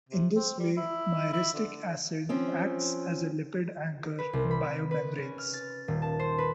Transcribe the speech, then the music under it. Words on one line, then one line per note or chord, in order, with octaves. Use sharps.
In this way, myristic acid acts as a lipid anchor in biomembranes.
C3
C4
G3
E4
E4
D3
F3 C4 C#4
B4
C2
B5
B4
C#4
F6
A6
D#1
A5
C5
B4